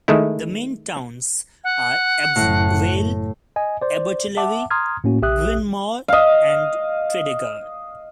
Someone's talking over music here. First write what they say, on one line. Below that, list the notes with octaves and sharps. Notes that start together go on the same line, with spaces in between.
The main towns are Ebbw Vale, Abertillery, Brynmawr and Tredegar.
D#3 G#3 A3 E4
F#5
F#1 F#2 A2
D#5 G#5
C5 D5
E5 F#5 A5 D6
A#5 C6 D#6 F6 G#6
A2 A#3 C#4 F#4
A#1 G4 E5 D#6 F#6
D#5 F5